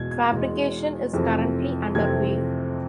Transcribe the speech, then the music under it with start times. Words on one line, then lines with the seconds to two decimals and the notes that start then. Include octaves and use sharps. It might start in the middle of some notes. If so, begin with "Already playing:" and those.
Fabrication is currently underway.
Already playing: E2 B2 G#3 G#6
0.11 G#6
0.31 E2 B2 G#3
1.13 F2 C3 E3 A3 C4
1.95 F2 C3 E3 A3 C4 G#6